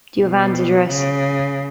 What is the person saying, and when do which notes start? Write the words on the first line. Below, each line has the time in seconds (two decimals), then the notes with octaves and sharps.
Do you have Anne's address?
0.20 B2
0.89 C#3